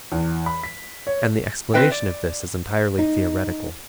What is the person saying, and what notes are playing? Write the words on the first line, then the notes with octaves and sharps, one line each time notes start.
And the explanation of this is entirely theoretical.
E2
B5
B6
C#5
C4 F4 B4 D#5 G5
D5
D#4